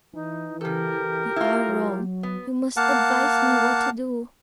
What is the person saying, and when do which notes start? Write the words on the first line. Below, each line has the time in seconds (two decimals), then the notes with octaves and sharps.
"You are wrong; you must advise me what to do."
0.14 E3 D#4
0.61 C#3 G4 A4 A#4
1.36 E4 F4
1.69 F#3
2.23 B3
2.77 A#3 F5 F#5 A5